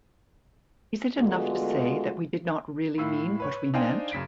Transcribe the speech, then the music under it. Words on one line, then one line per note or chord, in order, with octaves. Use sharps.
Is it enough to say that we did not really mean what we meant?
D3 G#3 A3 B3 F4 F#4
A2 E4 F4 E6
B4 C#5 C#6
D4 D#4 C5 F5 G5 G#5
F#2 C#3 B6 D7